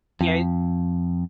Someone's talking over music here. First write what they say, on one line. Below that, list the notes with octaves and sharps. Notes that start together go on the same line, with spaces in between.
Yeah, i
F2